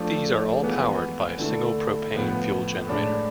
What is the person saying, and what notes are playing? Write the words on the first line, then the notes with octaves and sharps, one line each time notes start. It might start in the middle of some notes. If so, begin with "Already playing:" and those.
These are all powered by a single propane fueled generator.
Already playing: F3 A3 D4
E3 G#3 B3 F4
D3 A3 E4
A2 F3 B3
A2 G#3 D4